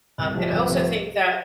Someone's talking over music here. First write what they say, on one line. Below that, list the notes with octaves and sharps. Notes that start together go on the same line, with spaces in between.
um, and I also think that,
C2
C3 F3 A3
C2
C3 F3 A3